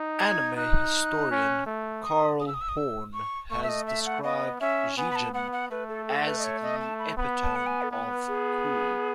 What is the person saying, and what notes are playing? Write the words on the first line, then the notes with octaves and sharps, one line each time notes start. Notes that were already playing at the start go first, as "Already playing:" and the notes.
Anime historian Carl Horn has described Jigen as "The epitome of cool".
Already playing: D#4
G#6
D#4 F#6
C#4
A3
D#6
D#6
E6
D#6
E6
D#6
E6
C#6
A3 C#6
E5
D#5
E5
F#5
B3 D#5
C#4 E5
B3 G#5
B5
A5
B3 F#5
F#5
A3 B4
A4
A4
B4
D#5
C#5
D#5
A5
B5
B3 B5
A5
F#5
G#5
A4
B3 B4
G#4